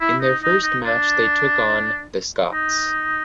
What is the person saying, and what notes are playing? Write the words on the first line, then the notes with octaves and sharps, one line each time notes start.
In their first match they took on 'the Scots'.
E4
D#4
D#4
D#4
D4
D#4